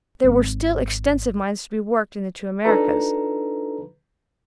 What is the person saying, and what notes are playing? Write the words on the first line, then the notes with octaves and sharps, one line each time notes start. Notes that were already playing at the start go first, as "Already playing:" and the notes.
There were still extensive mines to be worked in the two Americas.
G#1
D4 D#4 F4 A4 B4 A#5